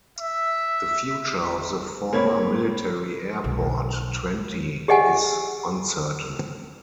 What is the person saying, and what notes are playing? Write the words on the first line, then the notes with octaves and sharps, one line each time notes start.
The future of the former military airport, Twente, is uncertain.
E5
A#3 C4 C#5 B5 G#6
B1
G4 G#4 D#5 F#5 G#5